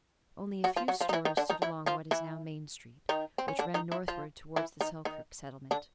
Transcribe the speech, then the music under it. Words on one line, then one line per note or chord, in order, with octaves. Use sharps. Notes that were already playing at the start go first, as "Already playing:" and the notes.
Only a few stores stood along what is now Main Street, which ran northward towards the Selkirk Settlement.
F#3 F#4
F3 F4
F#3 F#4
F3 F4
D#4
E3 E4
D#3 D#4
D3 D4
D#3 D#4
E3 E4
F3 F4
E3 E4
D#3 D#4
C4
C#4
D3 D4
D#3 D#4
E3 E4
F3 F4
E3 E4
D#3 D#4
D#3 D#4
D3 D4